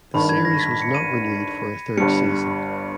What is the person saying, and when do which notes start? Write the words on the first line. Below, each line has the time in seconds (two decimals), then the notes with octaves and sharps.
The series was not renewed for a third season.
0.14 G#1 G2 D#3 B5
0.29 G#6
0.45 A#6
0.59 B6
0.71 B6
0.82 C#7
0.95 D#7
1.97 G1 G2 G3 C#7